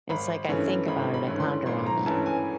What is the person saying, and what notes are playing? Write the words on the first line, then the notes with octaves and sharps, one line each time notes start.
It's like I think about it. I ponder on it.
G#1 B5
G2 E3 A3 C#4
G#1 B5
B5
G2 E3 A3 C#4
C6
G#1 C6
A#5
G2 E3 A3 C#4 A5
G#5